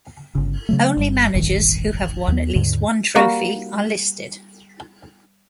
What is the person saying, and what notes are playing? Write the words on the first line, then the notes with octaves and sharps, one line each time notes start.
Only managers who have won at least one trophy are listed.
G1 C#3
C#3 F#3 A3
G1 G2 G3
E1 A1 G2 D#3
D#2 B3
D#2 G#2 D3
G3 A#3 F#4